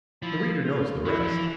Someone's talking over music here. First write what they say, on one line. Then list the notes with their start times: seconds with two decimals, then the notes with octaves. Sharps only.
The reader knows the rest.
0.22 F3 E4
0.64 F4
1.06 F#3 E4
1.20 F3
1.32 E3